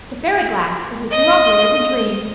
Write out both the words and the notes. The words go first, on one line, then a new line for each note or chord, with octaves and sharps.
The fairy glass is as lovely as a dream.
D#5